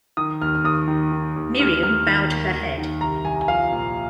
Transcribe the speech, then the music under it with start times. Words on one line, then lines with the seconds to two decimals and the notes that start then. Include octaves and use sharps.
Miriam bowed her head.
0.17 D#3 D#6
0.42 D#2 F6
0.64 D#2 D#6
0.88 D#3
1.12 D#3
1.36 D#2
1.59 D#2 F6
1.83 D#3 F6
2.07 D#3
2.30 D#2
2.54 D#2
2.78 D#3
3.01 C2 A#5
3.24 C2 G#5
3.48 F3 F5
3.72 A#2